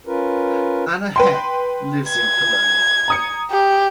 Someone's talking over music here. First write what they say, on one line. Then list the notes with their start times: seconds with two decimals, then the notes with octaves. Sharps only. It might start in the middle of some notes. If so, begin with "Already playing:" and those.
Anna Hepp lives in Cologne.
0.07 C#4 F4 A#4 B4
1.16 B4 G5 C6
2.09 G#6
3.08 A#5 D#6 C#7
3.51 G4